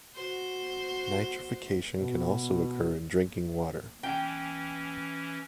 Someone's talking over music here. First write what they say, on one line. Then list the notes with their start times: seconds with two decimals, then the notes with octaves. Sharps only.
Nitrification can also occur in drinking water.
0.15 F#4 C5
1.99 B2
4.03 E3 C#4 G5